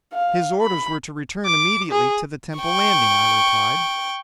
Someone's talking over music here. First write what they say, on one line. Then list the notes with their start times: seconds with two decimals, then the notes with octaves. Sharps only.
"His orders were to return immediately to the temple landing," I replied.
0.14 F5
0.61 B5
1.46 D6
1.91 G#4
2.59 G5 C#6